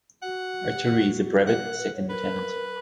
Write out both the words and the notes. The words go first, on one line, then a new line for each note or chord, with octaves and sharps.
Artillery as a brevet second lieutenant.
F#4 F#5
G4
F#4
G4 F#5
A#4
B4
C#5
A#4 B4